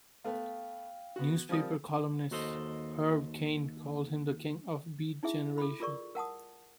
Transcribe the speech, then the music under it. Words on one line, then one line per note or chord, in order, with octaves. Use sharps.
Newspaper columnist Herb Caen called him the king of the Beat Generation.
A3 B3 F5 G5
B3 F#4
F3 G3 C4 A#4 D#6
D#2 F#4 A4 C5 D#5
D#4 E4 G#4 E5
A4 B5
F4 G#4 A#4 D5 C#6
A#4 F#5 A5 D#6